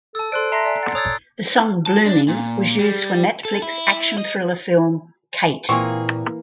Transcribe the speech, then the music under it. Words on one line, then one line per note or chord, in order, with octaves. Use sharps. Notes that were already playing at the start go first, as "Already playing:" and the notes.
The song "Blooming" was used for Netflix action thriller film "Kate".
A4 A5 E6
A4 C5 D5 C6 F#6 D7
E5 A5 A#5 C6 A#6 C7
D5 G#5
F#5 A6
C#5 D#6 E6 A6 F7
A5
D4
A#2
G3
A4
E4
D#5
A#2 E3 A#3 C4 G#4 C#6